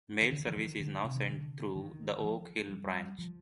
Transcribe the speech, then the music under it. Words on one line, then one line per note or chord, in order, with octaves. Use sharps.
Mail service is now sent through the Oak Hill branch.
D#3
D3
F3
D#3
D3
C3
D#3
D3
D#3
F3
G3
F3